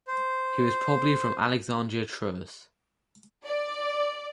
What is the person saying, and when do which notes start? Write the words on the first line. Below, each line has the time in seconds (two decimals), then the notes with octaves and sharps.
He was probably from Alexandria Troas.
0.08 C5
3.45 D5